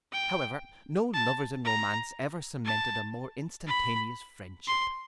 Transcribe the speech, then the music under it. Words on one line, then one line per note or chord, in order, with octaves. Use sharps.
However, no lovers in romance ever cemented a more instantaneous friendship.
G5
A5
A#5
A5
B5
C6